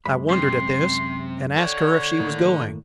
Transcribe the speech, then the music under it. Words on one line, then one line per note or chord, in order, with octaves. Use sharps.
I wondered at this, and asked her if she was going.
F#2 G#3 B5
C3 C6
A4 C#5 D5 G5
A2 D#3 A#3